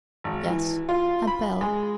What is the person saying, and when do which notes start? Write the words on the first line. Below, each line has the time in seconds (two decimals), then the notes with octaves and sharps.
Yes ... a bell ...
0.24 G#1
0.50 E3
0.89 F4
1.27 B5
1.61 G#3